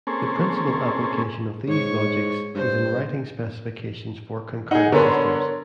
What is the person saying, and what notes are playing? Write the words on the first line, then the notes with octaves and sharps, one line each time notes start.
The principal application of these logics is in writing specifications for concurrent systems.
A#3 C4 C#4 G#4 A4
G#2 C#5 C#6
G2 C5
D#4 G#4 F#5
D3 B3 A#4 C#5 C6